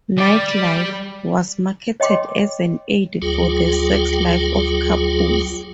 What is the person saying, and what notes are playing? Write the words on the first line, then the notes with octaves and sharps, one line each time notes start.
"Night Life" was marketed as an aid for the sex life of couples.
G3 D5
C#5 D#5 G5 C6 D6
D2 F#3 F4 G#4 G5